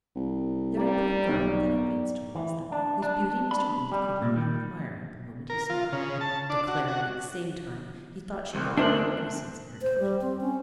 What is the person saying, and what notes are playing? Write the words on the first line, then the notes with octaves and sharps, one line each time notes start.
A very pretty girl then advanced towards them, whose beauty Mr. Booth could not help admiring the moment he saw her; declaring, at the same time, he thought she had great innocence in her countenance.
C2
G3 A#3 D5
B1 D5 C#6 E6
E3
D4
D4
B5
G3
A#2
D#3
A#4
F4
C#3
A5
D4
F#4
F#4
C2
D2 D4 A#4 C5 E5 F#6
C5
G3
C4
C#4